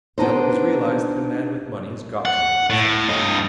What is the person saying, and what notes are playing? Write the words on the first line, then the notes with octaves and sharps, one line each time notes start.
Still, it was realized that a man with money has got to know these things.
B3 D4 D#4 C5
F#5
A2
G2 D#5